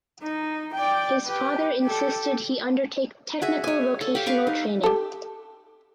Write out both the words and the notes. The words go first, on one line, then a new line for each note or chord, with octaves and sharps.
His father insisted he undertake technical vocational training.
D#4
D5 G5
G4 B4
G4 A4
F#4 G#4 E5
C#5 G#5
A4
G4 F5
B4 F5 C#6 D6
D#4
G4 A4